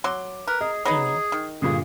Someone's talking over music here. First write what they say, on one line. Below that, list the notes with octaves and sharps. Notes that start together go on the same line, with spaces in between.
You know?
F#3 C6 D6
A#4 B4
G#4 D#5
F#3 B3 D#4 G#4
D#3
G2 A#2 D3 G#4